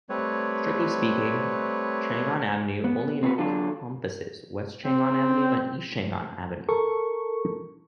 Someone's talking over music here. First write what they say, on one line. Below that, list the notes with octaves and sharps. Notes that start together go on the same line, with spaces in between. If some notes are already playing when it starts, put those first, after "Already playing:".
Strictly speaking, Chang'an Avenue only encompasses West Chang'an Avenue and East Chang'an Avenue.
G3 A3 C4 B4 C#5
B3
C4 D4 F4 F#4 B4
D3 F#3 D4 F4 A4
C4
A4 A#4 C#6